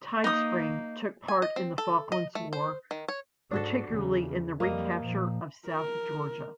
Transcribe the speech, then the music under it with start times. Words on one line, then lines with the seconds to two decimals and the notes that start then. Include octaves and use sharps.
"Tidespring" took part in the Falklands War, particularly in the recapture of South Georgia.
0.24 A#3 D#4 D#6
1.28 G#5
1.42 D#5
1.56 C4
1.78 A4
2.12 D#5
2.35 A3
2.53 C5
2.91 D#3
3.08 C#5
3.51 G#2 D4 F#4 A4
3.88 E2 C#3
4.60 F2 G3 A#3 D#5
5.00 A#2 F3
5.68 A#4